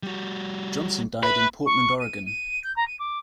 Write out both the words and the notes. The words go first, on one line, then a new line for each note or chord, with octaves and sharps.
Johnson died in Portland, Oregon.
G3 F#4
B4 E5
C#6
D#7
D#7
G6
A#5
D#7
D6